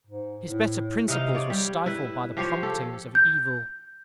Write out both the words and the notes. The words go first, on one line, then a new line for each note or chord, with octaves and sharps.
His better principles were stifled by the promptings of evil.
G#2
A2
C3 D#4 F5
C#5 D5
G3
E4 B4
F3 G4 C5 C#5
G4 A4
G6